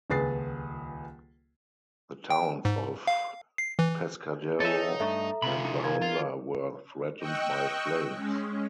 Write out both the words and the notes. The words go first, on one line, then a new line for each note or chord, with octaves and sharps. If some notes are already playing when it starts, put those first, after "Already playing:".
The towns of Pescadero and La Honda were threatened by flames.
D#1 C#2 G#4 B4 A6 C7
G5
G#2
F5
C7
E3
D#4 A4 C#5 E5
G2 A3 A4 E5 A#5
C3 F4 B5
D#4
A#4 F5 G#6
F4
D#5 G5 C#6 E6 F#6
G#3 C#4